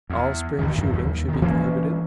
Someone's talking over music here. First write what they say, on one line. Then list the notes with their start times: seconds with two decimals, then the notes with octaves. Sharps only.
All spring shooting should be prohibited.
0.10 E2
0.59 D2 G2 D#3
0.78 E2 G2 F#3
0.93 D#2
1.28 D#1 D#3
1.42 E3 A#3 B3 C#4